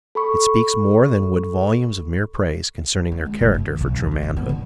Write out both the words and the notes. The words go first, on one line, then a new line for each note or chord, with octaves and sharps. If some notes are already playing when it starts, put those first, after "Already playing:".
It speaks more than would volumes of mere praise, concerning their character for true manhood.
A4 B5 C#6
B3
G#3
F1
G2
D#2
B1
D#4
D#3
G#1
B3
D3